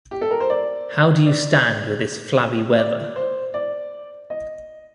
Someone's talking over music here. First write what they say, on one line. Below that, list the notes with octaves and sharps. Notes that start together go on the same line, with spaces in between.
How do you stand this flabby weather?
G4
A4
A#4
C5
D5
D5
D5
C5
D5
D#5